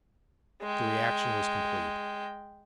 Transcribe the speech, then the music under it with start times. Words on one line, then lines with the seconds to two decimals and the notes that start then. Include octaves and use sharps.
The reaction was complete.
0.62 G#3 G5